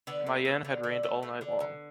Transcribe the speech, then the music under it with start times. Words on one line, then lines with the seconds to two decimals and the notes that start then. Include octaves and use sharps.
Mayenne had rained all night long.
0.07 D3 B3
0.27 A3
0.45 A3
0.65 D3
0.84 D3
1.03 A3
1.23 A3
1.41 D3
1.60 D3